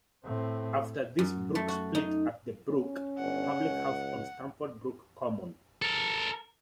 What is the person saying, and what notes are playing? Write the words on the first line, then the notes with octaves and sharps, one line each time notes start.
After this the brook split at "The Brook" public house on Stamford Brook Common.
A2 C4
F#2
A3
F#4
D#4
C#4
G1 F#5
C#2
A4 A#4